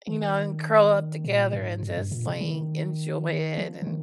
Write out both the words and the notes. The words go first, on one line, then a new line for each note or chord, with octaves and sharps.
you know, and curl up together and just, like, enjoy it and
D#3
A#2
G#2
G2
G2
A#2
C3
D#3
F3
D3
D#3